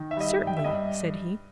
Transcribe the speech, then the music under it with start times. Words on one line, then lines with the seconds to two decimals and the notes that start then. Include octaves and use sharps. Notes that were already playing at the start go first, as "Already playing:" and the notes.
"Certainly," said he.
Already playing: D#3
0.11 E5
0.17 G3 D#5
0.28 E5
0.40 G2
0.47 G5
0.57 E5
0.64 G2 D#5